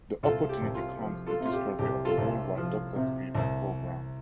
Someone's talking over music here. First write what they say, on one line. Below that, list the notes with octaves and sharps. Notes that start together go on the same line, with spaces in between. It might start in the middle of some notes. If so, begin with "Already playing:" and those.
The opportunity comes with the discovery of the worldwide "Doctor's Gift" program.
C2 F4 A4
G4
C2
F4
F3
F4 A4
C3
F4
G4
C2 G4
F4 A4
C2
F3
C3
C2